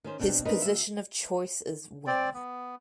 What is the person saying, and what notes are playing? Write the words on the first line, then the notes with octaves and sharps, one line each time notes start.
His position of choice is Wing.
D#3 C#4 C5
B2 C4 D4
C4 D4 D#4 A#4 B4 D#5
D2 E5
C4 D5
B3